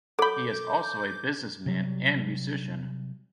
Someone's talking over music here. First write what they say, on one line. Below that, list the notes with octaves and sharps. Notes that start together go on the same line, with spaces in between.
He is also a businessman and musician.
F#3 A4 B5 D6 G6
C3 F#3 G3